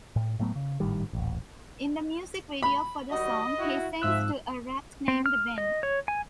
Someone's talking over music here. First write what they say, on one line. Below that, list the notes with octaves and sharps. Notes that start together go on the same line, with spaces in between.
In the music video for the song, he sings to a rat named Ben.
A2
A2 F#3 A3 B3
C#3
G#1 A2 D#3 G3
D#1 A1
B5
D#3 G3 F#4 D#5
E4 F#4
G#2 F3 C4 F4 E5 E6 F#6
C4
F6
D#5
C#5
G#5